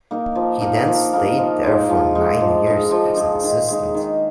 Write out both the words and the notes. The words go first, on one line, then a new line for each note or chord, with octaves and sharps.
He then stayed there for nine years as an assistant.
A#3 D#4 A#4
F3
A#3 D#4 A#4
F3
A#3 D#4 A#4
F3
G#3 D#4
F3
G#3 D#4
F3
G#3 D#4
F3
G#3 D#4
D#3
G#3 D#4
D#3